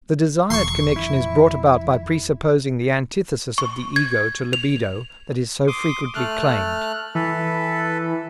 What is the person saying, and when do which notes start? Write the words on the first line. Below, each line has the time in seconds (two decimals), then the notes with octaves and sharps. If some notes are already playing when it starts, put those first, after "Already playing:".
The desired connection is brought about by presupposing the antithesis of the ego to libido that is so frequently claimed.
0.50 E1 C6 C#6
0.96 F2 E3 E4
3.58 C#6
3.96 G#6
4.53 F7
5.68 C6 D6 D#6
6.15 A3 F6 F#6
7.15 E3 A4 B4